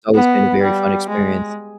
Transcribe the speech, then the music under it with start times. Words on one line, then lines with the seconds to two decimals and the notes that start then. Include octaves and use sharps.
it's always been a very fun experience,
0.15 B3
0.62 G3
1.09 G#3